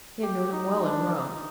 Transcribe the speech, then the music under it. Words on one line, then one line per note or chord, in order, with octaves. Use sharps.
He had known him well in Rome.
G4
D#4
D4
D#4